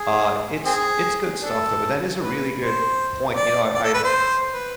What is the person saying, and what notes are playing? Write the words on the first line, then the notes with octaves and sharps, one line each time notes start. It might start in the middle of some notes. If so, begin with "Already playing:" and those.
Uh, it's it's good stuff, though, but that is a really good point, you know, I I
Already playing: G#4
C4 G#4
D4 A4
B4
C5
D5
D5
A4
B4
C5
B4